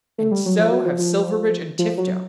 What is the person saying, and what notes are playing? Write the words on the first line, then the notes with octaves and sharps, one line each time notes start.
And so have Silverbridge and Tifto.
A3
G3
F#3
F3
F#3
F3
F3
F3
F#3